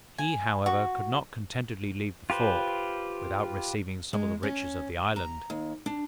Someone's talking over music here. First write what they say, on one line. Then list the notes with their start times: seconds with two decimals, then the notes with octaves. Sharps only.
He, however, could not contentedly leave the fort, without receiving some of the riches of the island.
0.18 G#5
0.66 F#4
2.30 F4 G4 B4 C5
4.13 G#3
4.43 C#4
5.16 A#5
5.50 D#2
5.86 D4